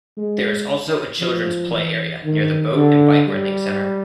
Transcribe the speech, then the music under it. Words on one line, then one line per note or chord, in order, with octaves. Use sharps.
There is also a children's play area near the boat and bike renting center.
G#3
F3
E3
D#3
D3
G3